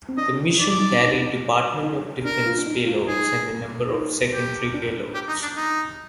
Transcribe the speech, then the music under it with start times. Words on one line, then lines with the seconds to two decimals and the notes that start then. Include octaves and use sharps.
The mission carried Department of Defense payloads and a number of secondary payloads.
0.09 C4
0.17 D4 D#5
0.59 D#4 D5
0.80 D#4
0.92 D4
1.01 D#4
1.83 D#4
2.25 D4 A#4
2.46 F4
2.58 D4
2.66 D#4
2.87 F4
3.08 D#4 G#4
3.91 D#4
4.32 G4
4.74 D4
5.14 G4
5.28 D#4
5.42 D4
5.57 D#4